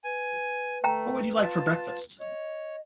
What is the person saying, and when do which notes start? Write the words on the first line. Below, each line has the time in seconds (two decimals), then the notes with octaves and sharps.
What would you like for breakfast?
0.04 B4 G#5
0.84 A3 G5 A#5
1.41 F4 A5
2.20 C#5 D#5